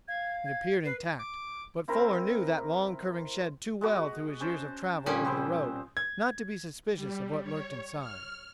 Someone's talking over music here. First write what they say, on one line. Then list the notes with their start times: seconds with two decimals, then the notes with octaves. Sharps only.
It appeared intact, but Fuller knew that long curving shed too well through his years of travel over the road not to be suspicious of what lurked inside.
0.08 F5 G#6
0.46 G#6
0.85 B4 C7
1.19 D6
1.88 C4 E4 A#4
3.81 G#3 B3 F#4
4.40 C#4 C5 A5
5.06 A#2 F3 G3 C#4
5.25 B3 C4 C5
5.97 G#6
6.95 G3
7.42 C#5
7.98 F6